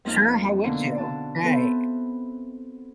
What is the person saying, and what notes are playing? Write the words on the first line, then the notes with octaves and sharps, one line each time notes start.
Sure, how would you? Right.
F2 A#3 D#4 D#5 F6
B2 D3 A#3
D3 F#4 A5
B3 C4 A4 B4 E5